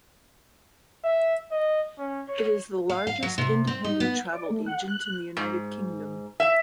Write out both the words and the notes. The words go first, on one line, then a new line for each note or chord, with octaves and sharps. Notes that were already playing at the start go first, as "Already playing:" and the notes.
It is the largest independent travel agent in the United Kingdom.
E5
D#5
C#4
C#5
F5
F5
F#3
C3
C4
D#4
B3
D5
A3
F#5
F#6
G#2
E5